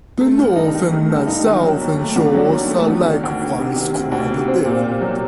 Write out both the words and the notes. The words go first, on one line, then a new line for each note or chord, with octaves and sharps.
The northern and southern shores are likewise quite different.
A3
G2
D#4
D#3
A3
G2
D#4
D#3
F#3
D#2
A3
D3
F#3
D#2
A3
D3
D#3
D2
D2
C3
D#3
D2
D2
C3
C4
A#2
G4
F#3